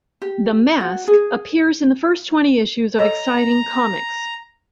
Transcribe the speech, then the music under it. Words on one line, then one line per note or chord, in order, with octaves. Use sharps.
The Mask appears in the first twenty issues of "Exciting Comics".
G4
F#4
G#4
A4 C#5 D#5 A#5